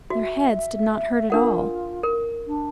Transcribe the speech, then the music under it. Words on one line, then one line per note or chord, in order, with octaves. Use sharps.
Their heads did not hurt at all.
F#4 E5
D4 F4 A#4 F#5
A#4
D4